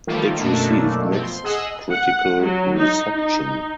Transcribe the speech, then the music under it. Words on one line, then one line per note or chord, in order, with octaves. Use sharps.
It received mixed critical reception.
D#3 F3 G3 A3 A#3 F4
F#2 B2 A3 A#3 D4
B2 F3 C4
C6
G#4 D#5 F#5 E6
F#5
F#3
D#4
D#4